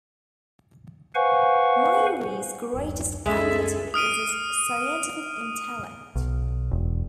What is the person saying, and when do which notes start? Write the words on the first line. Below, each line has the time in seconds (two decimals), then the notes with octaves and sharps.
Mayuri's greatest ability is his scientific intellect.
1.15 B4 C5 F5 F#5 G#5 C#6
2.74 D1 F#2
3.26 C#2 F#2 G#3 C#4 G#4 A4 E5
3.94 D#6 F6 D7 D#7
6.16 B1
6.71 E1